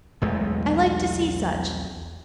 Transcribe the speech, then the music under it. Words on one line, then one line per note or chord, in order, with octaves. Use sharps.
I like to see such.
B1 E2 G#3 A3